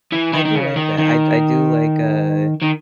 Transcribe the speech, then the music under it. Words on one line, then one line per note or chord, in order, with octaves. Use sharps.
I do like that, I I do like, uh,
E3
D#3
D#3
C#3
D#3
D#3
D#3